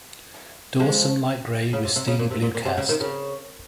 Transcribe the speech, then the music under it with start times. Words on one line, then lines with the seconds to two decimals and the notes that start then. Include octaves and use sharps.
Dorsum light grey with steely blue cast.
0.80 F3 G#3
1.73 C#3
1.84 C3
1.96 C3
2.07 C#3
2.19 A#2
2.31 C3
2.42 A#2
2.54 A#2
2.65 C3
2.77 C#3
2.88 C3 D#3
3.01 C#3